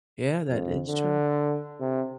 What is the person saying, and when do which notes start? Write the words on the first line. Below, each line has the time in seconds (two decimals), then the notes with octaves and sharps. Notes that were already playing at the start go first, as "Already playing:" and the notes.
Yeah, that is true.
0.50 F2
0.87 D3
1.80 C3